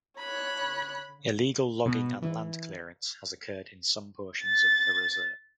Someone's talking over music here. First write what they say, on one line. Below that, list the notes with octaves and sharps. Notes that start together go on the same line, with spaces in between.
Illegal logging and land clearance has occurred in some portions of the reserve.
C#5 B5 F#6
B2
E3
A6